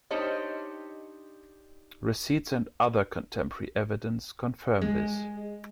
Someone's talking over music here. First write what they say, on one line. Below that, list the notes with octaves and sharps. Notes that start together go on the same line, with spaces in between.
Receipts and other contemporary evidence confirm this.
D4 D#4 G4 C5 C#5 D#5
G#3